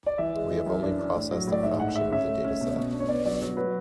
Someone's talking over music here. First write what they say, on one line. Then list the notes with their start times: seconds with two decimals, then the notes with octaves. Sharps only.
We have only processed a fraction of the dataset.
0.06 D5
0.18 E3 E5
0.35 G#3
0.51 E3
0.66 F#2
0.83 D4
0.99 D4
1.16 A2
1.31 F#3
1.47 A2 D5
1.63 G#2 E5
1.80 G#2 F#5
1.95 G#3 E5
2.12 C#4 E5
2.28 A3
2.44 C#4
2.61 B2
2.77 B2
2.93 D4
3.00 C#5
3.08 B3 D5
3.25 F#3 D5
3.41 F#3 C#5
3.57 F#3 B4